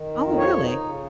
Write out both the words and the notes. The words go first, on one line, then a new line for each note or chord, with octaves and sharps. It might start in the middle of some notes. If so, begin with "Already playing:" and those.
Oh, really?
Already playing: D#3
F2
F3 C#5
D#4
C#3